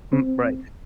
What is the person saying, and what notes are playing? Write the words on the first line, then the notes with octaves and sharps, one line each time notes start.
Hmm, right.
C4